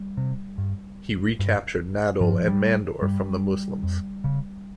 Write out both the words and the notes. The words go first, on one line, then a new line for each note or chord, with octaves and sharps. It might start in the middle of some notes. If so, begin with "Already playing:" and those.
He recaptured Nadol and Mandor from the Muslims.
Already playing: G3
C3
G2
G2
G2 F3
G3
G2 G3
F2
C#3